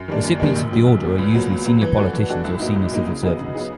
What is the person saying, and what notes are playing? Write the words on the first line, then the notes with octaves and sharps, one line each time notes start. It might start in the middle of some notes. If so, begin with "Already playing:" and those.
Recipients of the Order are usually senior politicians or senior civil servants.
Already playing: F#2
D#3 G3 A#3 D4
F#2
D#3 G3 A#3 D4
A#1
A#2 F#3
A#1
A#2 F#3
C#2
B2 F#3 A#3
C#2
B2 F#3 A#3
E3
A3 D4 F#4
E3
A3 D4 F#4
C2
A#2 F#3 A#3 D#4
C2
A#2 F#3 A#3 D#4
C#3
F#3 B3 D#4 G#4
C#3
F#3 B3 D#4 G#4